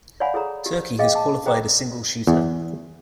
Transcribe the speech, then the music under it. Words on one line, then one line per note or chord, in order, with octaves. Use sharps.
Turkey has qualified a single shooter.
C#5 D5 F5 F#5 G#5 B5
G#4 A4 C#5 A#5
G4
G#4 D#5 F5 G5 D6
A5 D6
G#4 C5 G5 A#5 D6
E2